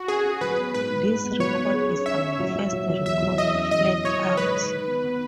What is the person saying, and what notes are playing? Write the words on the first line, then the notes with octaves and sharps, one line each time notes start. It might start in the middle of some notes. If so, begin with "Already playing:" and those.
This record is our first record, flat out.
Already playing: F#4
C#4 G#4
C#4
F#3 B4
B3
G#2 B4
G#2
G#2
B3
F#3 C#5
B3
G#4
C#4
C#4 E5
C#4
F#3
F#3
F#3
F#3
E2 E5
F#3
E2 D#5
C#4
E2 D#5
F#3
F#3 C#5
C#3
G#2 B4
D#3
D#3
B3
B3